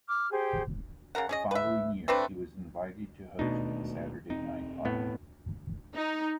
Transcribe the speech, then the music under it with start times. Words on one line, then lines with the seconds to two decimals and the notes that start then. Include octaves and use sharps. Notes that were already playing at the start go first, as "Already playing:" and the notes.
The following year she was invited to host "Saturday Night Live".
0.09 D6 F6
0.31 G4 G#4 C5
1.15 C#3 B3 A#4 F#5
1.29 C#4 G#4 D#5
1.51 B4 E5
2.08 A3 C4 D4 B4
3.39 E1 D#2 B2 A3 D4 D#4
4.30 E1 C4 D#4
4.85 A2 B3
5.95 D#4